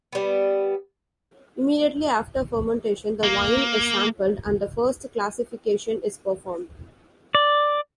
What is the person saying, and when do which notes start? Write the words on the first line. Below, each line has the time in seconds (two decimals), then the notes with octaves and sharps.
Immediately after fermentation, the wine is sampled and the first classification is performed.
0.13 G3 B3
3.23 A#3
7.35 D5